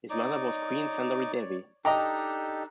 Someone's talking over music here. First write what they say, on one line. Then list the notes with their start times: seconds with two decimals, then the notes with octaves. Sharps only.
His mother was queen Sundari-Devi.
0.10 D#4 C#5 D5 D6
1.85 D4 D#4 G4 A4 D#5 G5 A#5 D6